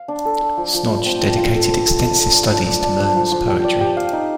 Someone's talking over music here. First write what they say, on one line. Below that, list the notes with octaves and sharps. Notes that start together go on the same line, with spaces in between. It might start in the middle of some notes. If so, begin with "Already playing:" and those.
Snoj dedicated extensive studies to Murn's poetry.
Already playing: F5
D4
A4
A4
F3
F3
F3
C4
F3
F4
A4
A4
A4
A4
A4
D4
F3
D4
D4
D4
F3
F3
G4
D5
G4
F5
D#4